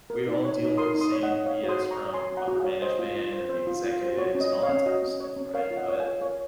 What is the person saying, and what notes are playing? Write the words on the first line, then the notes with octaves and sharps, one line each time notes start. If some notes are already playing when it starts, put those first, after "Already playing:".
we all deal with the same BS from upper management, and the executives, and all that type of stuff, right? But,
A#4
D#4
C#5
D#4
A#4 C6 D#6
D#4
C6 D#6
C#5
D#5 F#5
D#4
C#5 F5
F#4
C6 D#6
F#4
A#5 C#6
C#5
C#5 G#5 C6
F#4
F#5 A#5
F#4
F5 G#5
C#5
C5 D#5
F4
F4
C5
C5
F4
F4
C5
F#4 C#5
C#4
D#5
C#5
C#5 F5
C#4
F#4 D#5
C#4
C#5
C#4
A#4 C#5 F5
F4
D#5 F#5
C#5
F5 G#5
F4
A#4 C#5 F5